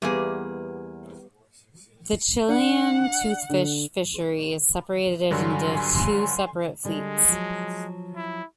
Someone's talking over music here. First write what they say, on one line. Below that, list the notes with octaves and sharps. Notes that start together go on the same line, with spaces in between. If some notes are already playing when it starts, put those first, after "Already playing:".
The Chilean toothfish fishery is separated into two separate fleets.
E2 G3 A#3 B3 G#4
D4 F#5
D3
G2 D3 F#3 G#5 C6
D3 G3 G#3
F3 F#3
E4